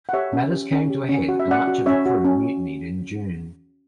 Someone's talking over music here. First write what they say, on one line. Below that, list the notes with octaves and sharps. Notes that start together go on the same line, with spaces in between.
Matters came to a head and much of the crew mutinied in June.
F#5
G4 C#5 E5
C#4
G4
C#4
G4
C#4
F#4 F#5
E5
C#4 D5 F#5
F#4
C#4 C#5 E5
F#4
C#4